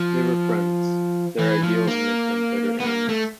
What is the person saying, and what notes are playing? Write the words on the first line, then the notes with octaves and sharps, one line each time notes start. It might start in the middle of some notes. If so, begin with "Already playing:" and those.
They were friends; their ideals make them bitter enemies.
Already playing: F3
E3
F3
A#3
B3
A#3
A3